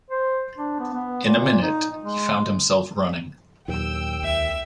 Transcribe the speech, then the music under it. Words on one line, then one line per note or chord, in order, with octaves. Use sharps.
In a minute he found himself running.
C5
D4
B3
B3
A#2
D#4
G#3
D#2 A#2 F#3 G5 E6
C#2 E5